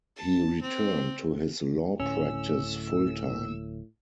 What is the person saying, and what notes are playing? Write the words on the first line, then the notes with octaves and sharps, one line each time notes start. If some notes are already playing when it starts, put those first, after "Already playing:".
He returned to his law practice full-time.
A5
C4
D1 A2 C#4 E6